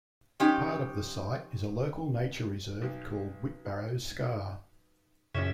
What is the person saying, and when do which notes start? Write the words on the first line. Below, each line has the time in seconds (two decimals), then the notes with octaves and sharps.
Part of the site is a local nature reserve called Whitbarrow Scar.
0.40 F3 C#4 D#4 G4
2.82 B1
5.35 A#1 F#2 C#3 C#4 E5